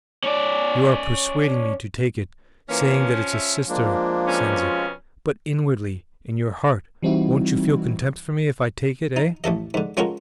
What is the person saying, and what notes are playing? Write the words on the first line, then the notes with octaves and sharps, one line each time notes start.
"You are persuading me to take it, saying that it's a sister sends it, but inwardly, in your heart won't you feel contempt for me if I take it, eh?"
C#4 D5
E3 F3 A#3 C#4
E5
F3 G#3 A#3 D4
F2 B2 C#4
G#3 F4
E3 G3 C4 D#4 E4 F#4
D#4
A1 A3 A4 D#5
G#2 D3
G#3 C#4 F4 F#4 A4 A#4